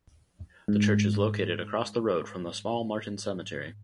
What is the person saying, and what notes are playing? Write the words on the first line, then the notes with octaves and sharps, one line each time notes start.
The church is located across the road from the small Martin Cemetery.
G#2